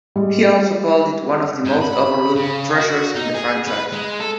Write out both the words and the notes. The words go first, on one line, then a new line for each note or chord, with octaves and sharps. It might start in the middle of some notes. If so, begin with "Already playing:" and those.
He also called it one of the most overlooked treasures in the franchise.
G3 G#3
G#2
B5
C#3
F#4
D#4
G#4
B4
G#3
A4